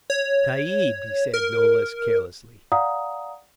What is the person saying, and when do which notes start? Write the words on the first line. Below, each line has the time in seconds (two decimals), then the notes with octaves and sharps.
"Tayeeb," he said, no less carelessly.
0.10 C#5
1.34 A#4
2.72 D5 F5 F#5 A#5 D#6